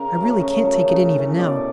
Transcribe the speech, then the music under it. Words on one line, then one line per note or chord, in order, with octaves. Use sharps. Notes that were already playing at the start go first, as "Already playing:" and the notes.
I really can't take it in even now....
Already playing: C#3 A#4
F#3 A3
C#3 C#5
F#3 A3
C#3
E3 A3
B2 D5